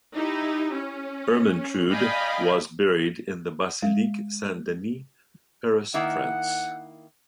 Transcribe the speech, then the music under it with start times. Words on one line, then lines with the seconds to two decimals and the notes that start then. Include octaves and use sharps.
Ermentrude was buried in the Basilique Saint-Denis, Paris, France.
0.15 D#4 E4 G4
0.73 C#4
1.89 D5 D#5 F5 G5 G#5 B5
3.82 G#3 F5
5.94 D#3 A#3 E4 F#5